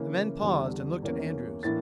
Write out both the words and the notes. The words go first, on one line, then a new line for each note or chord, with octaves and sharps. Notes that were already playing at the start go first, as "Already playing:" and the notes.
The men paused and looked at Andrews.
Already playing: C#3 E3 A#3 C#4
E2 D3 G3
E2 E3 A#3 C#4
A2 E3 A#3 D4 A6